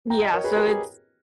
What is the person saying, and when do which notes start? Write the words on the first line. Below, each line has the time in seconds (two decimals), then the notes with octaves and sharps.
Yeah, so it's
0.10 G5 A#5
0.22 D#5 G5
0.33 A#4 C#5
0.44 G#4 B4
0.56 G4 A#4
0.67 G#4